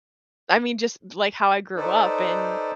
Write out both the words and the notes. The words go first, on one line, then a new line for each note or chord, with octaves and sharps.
I mean, just like how I grew up and,
D#4 A4 B4 C5 D5